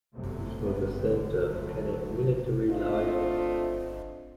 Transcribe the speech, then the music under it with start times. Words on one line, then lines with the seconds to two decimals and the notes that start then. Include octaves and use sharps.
This was the center of cadet military life.
0.14 G1 F#2 C3 F#3 A3
0.59 G1 G2 C3 B3
0.98 B1 D3
1.41 D2 F#3 A3
2.69 A3 C4 D4 F4 C5 D#5